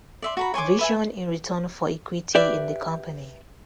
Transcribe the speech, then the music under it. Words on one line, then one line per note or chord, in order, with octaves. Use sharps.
Vision, in return for equity in the company.
D5 E5 C6
F#4 A#5 B5
C#5 G#5 C6 D6
B4 E5 G#5
G4 B4 D5 E5